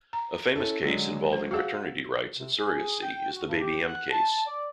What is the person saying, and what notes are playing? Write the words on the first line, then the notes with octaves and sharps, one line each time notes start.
A famous case involving paternity rights and surrogacy is the Baby M case.
A#5
C#4 E4 A4
D3 F#3 G#3
C5
F#4 G#4 F5 F#5 E6
C3
G#4
G5
F#4
G2
G4
F#5
A5
D5